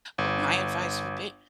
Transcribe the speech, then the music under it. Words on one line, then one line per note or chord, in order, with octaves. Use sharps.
What my advice would be,
G1